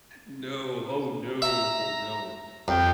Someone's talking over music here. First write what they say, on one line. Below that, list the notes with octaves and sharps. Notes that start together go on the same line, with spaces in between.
No, oh no, so no.
E5 A#5
F2 G5